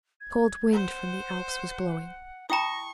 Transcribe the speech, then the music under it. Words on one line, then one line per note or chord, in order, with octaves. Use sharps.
A cold wind from the Alps was blowing.
G#6
C5 F#5
E4 G5 A5 B5 C#6 D#6 A#6